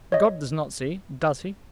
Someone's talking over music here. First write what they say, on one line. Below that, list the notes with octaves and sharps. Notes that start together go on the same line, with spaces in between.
God does not see, does he?
C#5 D#5